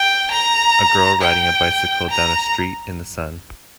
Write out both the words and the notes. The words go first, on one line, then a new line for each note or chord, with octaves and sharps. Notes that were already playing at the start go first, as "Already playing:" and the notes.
A girl riding a bicycle down a street in the sun.
Already playing: G5
A#5
G5
A#5